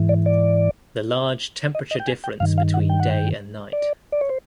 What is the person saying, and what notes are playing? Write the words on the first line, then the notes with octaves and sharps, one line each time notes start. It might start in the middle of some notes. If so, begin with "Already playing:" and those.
The large temperature difference between day and night.
Already playing: G#2 E3
D5
D5
D#5
D#5
G5
G#5
G5
G2 D#3 F5
F5
F#5
G5
F#5
G5
D5
D5
C#5
C5